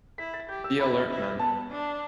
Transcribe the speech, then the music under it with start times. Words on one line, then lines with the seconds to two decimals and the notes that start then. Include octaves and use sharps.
Be alert, men!
0.18 E4 B6
0.34 A6
0.49 G4 G6
0.64 E6
0.79 E4 B5
1.10 E4
1.39 B3 A5
1.70 D4